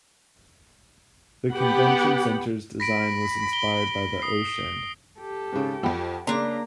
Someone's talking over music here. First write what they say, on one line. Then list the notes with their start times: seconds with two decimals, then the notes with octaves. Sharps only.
The Convention Center's design was inspired by the ocean.
1.52 B3 G4 F#5 B5
2.80 B5 A#6 B6 D7
3.53 G7
4.22 D#6 C7
5.20 G4 A4
5.52 G#2 C#3
5.83 F2 F3 F#5 G5 B5
6.27 C#3 A#3 D4 A#5 C6 D6